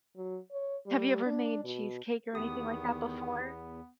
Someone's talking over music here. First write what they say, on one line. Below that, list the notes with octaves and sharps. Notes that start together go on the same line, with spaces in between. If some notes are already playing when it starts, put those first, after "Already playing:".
Have you ever made cheesecake or anything like that before?
F#3
C#5
G3
D4
B2
E2 D#3 B3 G4 D#6